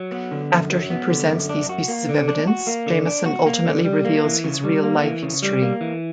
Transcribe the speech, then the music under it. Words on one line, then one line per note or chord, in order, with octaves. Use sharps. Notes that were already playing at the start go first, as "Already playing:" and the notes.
After he presents these pieces of evidence, Jameson ultimately reveals his real life history.
Already playing: F#3
B3
D3
F#2
F#3
B3
D3
F#2
D4
F#4
A#3
D3
D4
F#4
A#3
D3
D4
F#4
A#3
D3
G3
A#3
E3
C#3
G3
A#3
E3
C#3
G3
A#3
E3